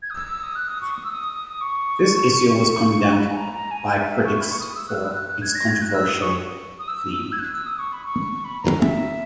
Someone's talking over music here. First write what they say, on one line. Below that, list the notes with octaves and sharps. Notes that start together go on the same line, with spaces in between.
The issue was condemned by critics for its controversial theme.
G#6
D#6
E6
E6
D#6
F#6
D#6
C#6
D#6
E6
D#6
D#6
C#6
A#5
B5
G#5
A#5
A#5
G#5
E5
E5
C#6
B5
C#6
D#6
E6
F#6
E6
F#6
F#6
G#6
A#6
G#6
F#6
E6
D#6
C#6
D#6
E6
E6
G#6
F#6
E6
D#6
C#6
B5
C#6
B5
A#5
E5